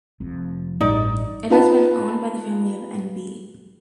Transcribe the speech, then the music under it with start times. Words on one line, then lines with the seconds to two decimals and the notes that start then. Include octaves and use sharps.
It has been owned by the family of N. B.
0.20 F1 F2
0.81 A1 G2 D#4 D5
1.50 D#4 F4 B4 A5